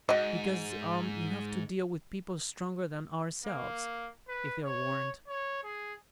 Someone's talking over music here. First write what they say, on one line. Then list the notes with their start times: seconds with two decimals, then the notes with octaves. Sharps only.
"Because you have to deal with people stronger than ourselves, if they are warned."
0.09 G#2 F#4 D#5
3.45 A#3
4.28 B4
4.65 C#5
5.28 C#5
5.63 G#4